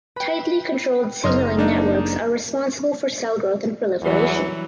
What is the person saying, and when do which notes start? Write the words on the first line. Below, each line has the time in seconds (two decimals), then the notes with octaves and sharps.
Tightly controlled signalling networks are responsible for cell growth and proliferation.
0.16 B4 G5 B5
1.24 F#1 D#5 C6 F6
1.57 A#3 D4 D#4
4.02 E2 E3 F#3 G3